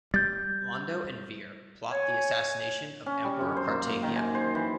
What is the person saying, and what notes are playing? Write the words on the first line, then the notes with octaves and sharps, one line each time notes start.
Londo and Vir plot the assassination of Emperor Cartagia.
G3 G6 A6
C#5 G#5
C#4
G3
F#2
C5
A#3
D#3
G#5
C5
E3